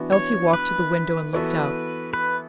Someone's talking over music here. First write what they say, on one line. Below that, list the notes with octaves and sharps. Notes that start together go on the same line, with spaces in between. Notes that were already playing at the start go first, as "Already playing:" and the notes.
Elsie walked to the window and looked out.
Already playing: E3 B3 D4 F#4
C#5
B4
E3 B3 F#4 A4
B4